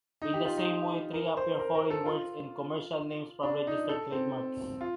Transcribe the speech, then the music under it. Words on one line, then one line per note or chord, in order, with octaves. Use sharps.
In the same way there appear foreign words and commercial names from registered trademarks.
D#4
G4
F4
D#4
A#4
C5
A#4
A#4
A4
F4
D4
D#4
A4
C4
F4